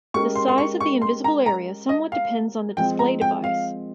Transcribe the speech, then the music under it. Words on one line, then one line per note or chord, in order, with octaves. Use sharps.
The size of the invisible area somewhat depends on the display device.
G#3 C#4 G4 A#4 C#6
C6
C6
C#6
C#6
C6
A#5
A#5
D#5
F5
F3 G#3 C4 G5
A#5
G5
F5